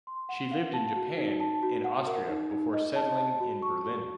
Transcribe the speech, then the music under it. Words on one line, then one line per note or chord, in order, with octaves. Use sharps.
She lived in Japan and Austria before settling in Berlin.
C6
F#5
F5
A5
F#4
D#4
A5
F#4
F#5
A#4
D#4
D#4
D#5
A5
A5
F#4
C#6
C#6